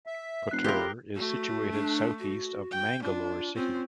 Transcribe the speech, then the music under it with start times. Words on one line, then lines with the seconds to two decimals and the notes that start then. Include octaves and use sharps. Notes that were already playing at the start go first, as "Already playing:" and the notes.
Puttur is situated south-east of Mangalore city.
0.06 E5
0.51 F1 F#6 C7
0.64 F#3 E4 F4 G4 A#4 G7
1.15 A3 F#4
1.71 D4
2.19 F#4
2.71 G5
3.03 D4 F4
3.55 C4 C#4 F4